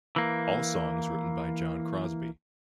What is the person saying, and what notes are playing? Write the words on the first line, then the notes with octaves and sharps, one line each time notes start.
All songs written by Jon Crosby.
E3 A#3